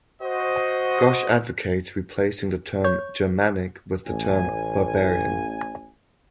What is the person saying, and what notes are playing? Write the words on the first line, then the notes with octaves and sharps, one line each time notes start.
Ghosh advocates replacing the term "Germanic" with the term "barbarian".
F#4 C5 D#5
C#5 C#6 G6
A1 G#5